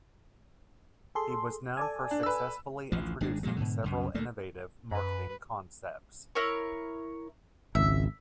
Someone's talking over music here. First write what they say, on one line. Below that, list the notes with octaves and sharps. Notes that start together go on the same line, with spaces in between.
He was known for successfully introducing several innovative marketing concepts.
G#4 A4 C6
A4 D5 G#5
D4
B4 E6
A1 D2 F3
G#1 G#3 D4
A#2 F3 F#3 G#3
G#2 B2 D3
C2 F#2 C#3
D2 A3 A#3
F#2 B4
E4 A#4 C#5
G#1 C#2 E5